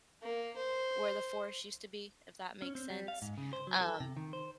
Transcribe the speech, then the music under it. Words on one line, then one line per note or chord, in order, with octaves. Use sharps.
where the forest used to be, if that makes sense. Um
A#3
C5
C#4
C4
G3
F5
G#2
C#3
C5
F#3
A4
C3
D#3
C5